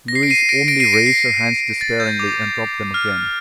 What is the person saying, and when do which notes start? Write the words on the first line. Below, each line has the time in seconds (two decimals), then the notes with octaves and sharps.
Louise only raised her hands despairingly and dropped them again.
0.08 A#6
0.15 C7
0.23 D7
0.30 C7 D#7
0.49 A#6 D7
0.68 A#6 D7
0.80 C7 D#7
0.93 A#6 D7
1.06 C7
1.81 A6
2.00 G6
2.19 D6
2.94 F6